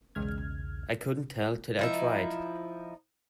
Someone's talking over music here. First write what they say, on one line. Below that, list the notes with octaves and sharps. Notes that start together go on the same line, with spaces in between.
I couldn't tell till I tried.
B1 E2 C#3 G#3 F6 G#6
F3 D#4 E4